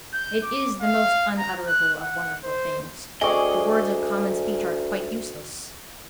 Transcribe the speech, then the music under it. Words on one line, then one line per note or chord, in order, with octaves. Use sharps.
It is the most unutterable of wonderful things. The words of common speech are quite useless.
G6
D6
F5
A#5
F#6
F#5
C5
D2 G#4 D5 D#5 G5 C#6